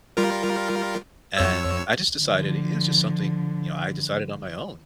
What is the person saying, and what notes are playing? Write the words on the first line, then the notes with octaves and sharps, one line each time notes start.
And I just decided it was just something, you know, I decided on my own.
G3 F4 A#4
F2 C#5 E6
D3 F3